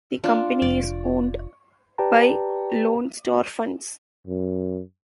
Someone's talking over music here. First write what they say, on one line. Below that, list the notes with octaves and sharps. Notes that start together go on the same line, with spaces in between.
The company is owned by Lone Star Funds.
D4 F4
F1 D5
G4 B4 D5 G5 A5 A#5
F#2